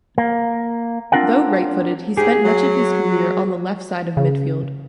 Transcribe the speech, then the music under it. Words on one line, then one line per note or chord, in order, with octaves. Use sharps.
Though right-footed, he spent much of his career on the left side of midfield.
A#3
C4 D4 F4 A#4 F#5 G5
G#2 G4 G#4
F#3
C#3